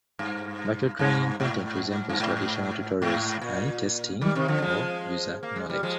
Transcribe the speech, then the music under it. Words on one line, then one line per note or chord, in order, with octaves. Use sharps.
Virtual training content resembles traditional tutorials and testing of user knowledge.
G2
G2
G#2
G2
G#2
G#2
A#2
D#3 G3
C3 D#3
D3 F3
F3 G#3
A#3
G#3
G3
F3 G#3